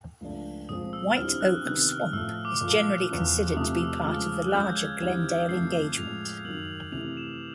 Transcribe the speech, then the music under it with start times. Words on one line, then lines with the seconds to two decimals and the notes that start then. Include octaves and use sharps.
White Oak Swamp is generally considered to be part of the larger Glendale engagement.
0.21 C#2 C#3 F3 A3 D4
0.69 A#2 F3 G#3 C4 D#6
0.93 E6
1.17 D#2 D3 G3 C4 E4 F6
1.41 F#6
1.65 C3 D#3 G3 B3 F#6
1.89 F6
2.13 A2 F3 A3 E6
2.45 D6
2.61 A#2 F3 A3 D6
3.09 E2 C#3 F3
3.56 C3 F3 A3 D#6
3.81 E6
4.05 C#3 F3 G#3 F6
4.47 F#6
4.52 C#3 F3 G#3 C#4 G6
4.77 G#6
5.01 D#2 D#3 G3 C4 E4
5.49 F2 C#3 F3 A3 C7
5.97 A2 F3 G#3 F7
6.45 F#2 D#3 F#3 F#7
6.92 C3 F7
6.95 E3 A3
7.17 E7